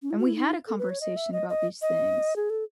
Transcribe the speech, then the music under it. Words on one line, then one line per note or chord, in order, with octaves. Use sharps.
And we had a conversation about these things,
C#4
E4
F#4
E4
D#4
A4
B4
C#5
D#5
E5
D#5
D#5
D#5
G#4
A4